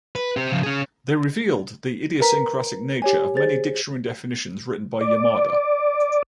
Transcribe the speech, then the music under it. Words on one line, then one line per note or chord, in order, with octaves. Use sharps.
They revealed the idiosyncratic nature of many dictionary definitions written by Yamada.
B4
C4 G4
C#3 F3
C#4 G#4
A#4 B4 A#5 B6
G4 C#5 G#5
G#4 C5 A6
D5